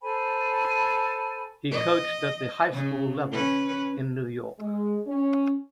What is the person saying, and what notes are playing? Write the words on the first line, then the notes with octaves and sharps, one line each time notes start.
He coached at the high school level in New York.
A4 C5 G#5 B5
D#5
C#3
C#4 B4
G#3
C#4